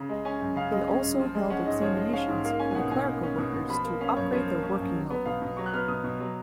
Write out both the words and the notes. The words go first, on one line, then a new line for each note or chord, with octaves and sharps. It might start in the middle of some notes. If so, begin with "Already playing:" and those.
They also held examinations for the clerical workers to upgrade their working level.
Already playing: C#3 A#5
G#3
C#4 G#5
F#2
C#3 F5
G#3
C#4 G#5
F#2
F3
G#3
C#4 F#5
G#2 D#5
F3 C#5
G#3 D#5
C#4 F5
G#2
A#3 F5
C#4 G#5
G#5
B2 F#5
B2 G#5
A#3
C#4
B2
B2
F3 B5
A#3
C#4 F5
F#2 C#5
F3 C#5
A#3
C#4
F#2
F#3
B3
B2 F5
B2
F#3 C#6
F#6
B3 F6
B2 D#6
B2
F#3